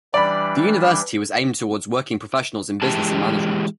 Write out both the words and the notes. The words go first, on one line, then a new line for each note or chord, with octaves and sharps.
The university was aimed towards working professionals in business and management.
E3 G3 D4 D5 B5
E3 G#3 G4 A5